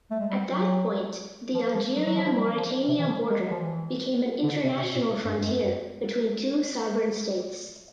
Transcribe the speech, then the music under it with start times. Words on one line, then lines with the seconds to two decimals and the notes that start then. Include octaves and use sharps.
At that point the Algeria–Mauritania border became an international frontier between two sovereign states.
0.11 A3
0.20 G#3
0.30 G3
0.51 F#3
1.54 F3
1.74 F3
1.96 F#3
2.06 F#3
2.16 F3
2.26 F3
2.36 G3
2.57 F3
2.88 C3
2.99 E3
3.09 F3
3.30 G#3
3.40 F#3
3.51 F3
3.60 E3
4.43 D3
4.64 C3
4.77 C3
4.84 B2
4.94 A#2
5.25 G2
5.37 G2
5.46 F#2